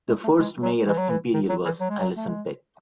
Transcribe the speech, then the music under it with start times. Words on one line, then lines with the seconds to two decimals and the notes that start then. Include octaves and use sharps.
The first Mayor of Imperial was Allison Peck.
0.08 G#3
0.24 A3
0.40 G#3
0.63 F#3
0.87 E3
0.98 F#3
1.09 E3
1.34 D#3
1.49 F#3
1.65 E3
1.81 F#3
1.90 G#3
1.98 F#3
2.17 A3
2.28 G#3